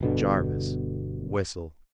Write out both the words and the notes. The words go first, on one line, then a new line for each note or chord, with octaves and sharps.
Jarvis whistled.
G1 B2 D3